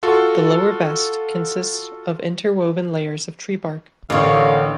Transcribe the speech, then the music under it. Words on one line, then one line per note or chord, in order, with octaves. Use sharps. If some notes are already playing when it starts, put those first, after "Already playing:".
The lower vest consists of interwoven layers of tree bark.
F4 F#4 A4
A1 D3 A#3 C#5 F5